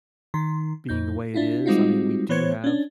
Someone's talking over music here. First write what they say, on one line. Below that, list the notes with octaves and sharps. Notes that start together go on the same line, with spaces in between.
being the way it is, I mean, we do have
D#3 C6
F2 D#4 G6
D4 E4 F4
G3 G#3 C4 D#4 F4 F#4
E3 B3 C5 C#5 G#6 C#7
C#4 D4